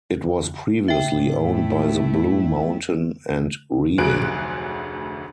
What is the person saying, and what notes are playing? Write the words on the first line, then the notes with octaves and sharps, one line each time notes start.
It was previously owned by the Blue Mountain and Reading.
A2 E5 G5
A3 E4
F1 D2 F#3 G#4 F#6 D7